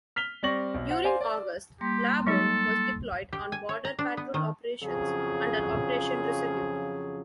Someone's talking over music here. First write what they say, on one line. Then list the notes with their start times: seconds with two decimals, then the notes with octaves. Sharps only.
During August, "Labuan" was deployed on border patrol operations under Operation Resolute.
0.16 F6 B6 F7 G7
0.43 G3 C4 D5 C#6 A#6 F#7
0.74 B1
0.88 C5 F#5
1.04 C5 D5 F5 G#5 C6
1.21 D5
1.81 G3 A#3 G4 C6
2.27 F#3 G#3 D#4 A4
3.33 G4
3.52 G#5
3.69 C#5
3.85 A#5
3.99 D4
4.17 B3
4.34 D#3
4.83 F2 C#3 F3 F#3 C#4 G#4